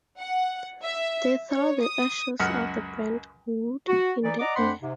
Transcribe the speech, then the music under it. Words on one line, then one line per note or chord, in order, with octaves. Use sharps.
They throw the ashes of the burnt wood in the air.
F#5
E5
C#5
D#6
C#2 F#2 F#5 F6
F#4
E3 D#4 D5
D5 D#5 F#5 A#5 D6
F2 D4 C5 F#5 B5 C6
G#2 C3